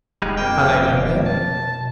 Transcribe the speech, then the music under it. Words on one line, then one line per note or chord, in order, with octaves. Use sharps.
Have I done that?
D#1 G3 G#3 D#4
F2 A#3 G5
B2 A5